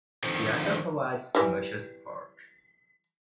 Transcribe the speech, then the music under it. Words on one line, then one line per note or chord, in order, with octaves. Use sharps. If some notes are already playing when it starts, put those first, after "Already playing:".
The author provides commercial support.
D3 D#3 F3 C4
E3 G3